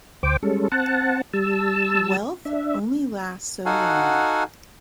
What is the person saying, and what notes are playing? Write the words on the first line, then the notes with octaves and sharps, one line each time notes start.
Wealth only lasts so long.
D2 C5 G5 D6
G3 G#3 C#4 A4
C4 F#5 A5
G3 A5 E6
D4 E5
D#4 F#4 A4 F5 F#5 G#5